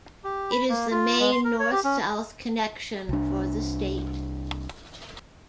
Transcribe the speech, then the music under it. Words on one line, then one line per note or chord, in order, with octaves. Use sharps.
It is the main north-south connection for the state.
G4
B5
A#3
F4
G#3
C6
A#4
C#5
G4
C#4
C2 D4